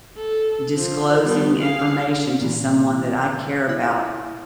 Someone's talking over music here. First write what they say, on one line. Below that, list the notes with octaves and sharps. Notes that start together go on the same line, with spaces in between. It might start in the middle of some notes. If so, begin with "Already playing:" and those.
disclosing information to someone that I care about
A4
F3
G3 B3
G#4 F5
A#2 E3
E4